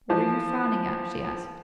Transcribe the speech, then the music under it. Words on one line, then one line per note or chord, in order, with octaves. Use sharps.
"What are you frowning at?" she asked.
E3 F3